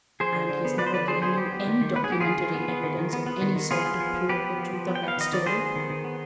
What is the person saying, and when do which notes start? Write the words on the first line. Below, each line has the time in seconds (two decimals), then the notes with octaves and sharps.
"And he's never given you any documentary evidence of any sort to prove the truth of that story?"
0.20 F3 G#4 C5
0.35 D3
0.49 D3
0.65 B3
0.78 F3 B4 D5
0.86 C5
0.93 D3 B4 D5
1.08 D3 G#4 C5
1.22 B3 G#4 C5
1.37 B3 G4
1.52 B3
1.67 D#3
1.81 D#3
1.95 B3 B4
2.04 G#4
2.10 B3 G4
2.20 D#3 F4 G#4
2.39 D#3
2.54 B3
2.68 B3
2.83 D#3
2.98 D#3
3.13 B3
3.27 B3
3.42 D#3
3.56 D#3
3.71 B3 F4 G#4
3.86 B3
4.00 F3
4.15 F3
4.29 B3 G4 B4
4.44 B3
4.58 F3
4.73 F3
4.87 B3
4.95 G5
5.03 B3 F5
5.17 D#3 D#5
5.32 D#3 D5
5.46 B3 G#4 C5
5.61 B3
5.76 D#3
5.90 D#3
6.04 B3